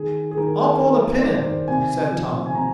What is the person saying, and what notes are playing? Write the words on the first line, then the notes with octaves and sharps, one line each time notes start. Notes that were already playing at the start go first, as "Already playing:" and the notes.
"I'll pull the pin," said Tom.
Already playing: D#3 G#4
G#4
D#3 A#4
D#3 A#4
D5
D#3 C5
C3 G#5
F3
G#5
C3 A#5